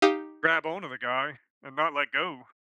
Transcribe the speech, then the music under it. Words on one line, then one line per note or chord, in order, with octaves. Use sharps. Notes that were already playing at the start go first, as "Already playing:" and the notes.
grab on to the guy and not let go.
D#4 G4 F5 D#6